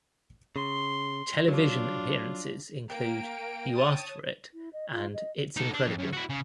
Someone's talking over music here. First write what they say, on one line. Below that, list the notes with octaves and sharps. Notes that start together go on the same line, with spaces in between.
Television appearances include "You Asked for It" and "It's Incredible".
C#3 C6
F#3 D4 F4
A#3 G5 D7
C#5 A5 D#6
E4
D#5
F4
D#5
D#4 A4
D4
F2
F#2
E4 F#4
C#3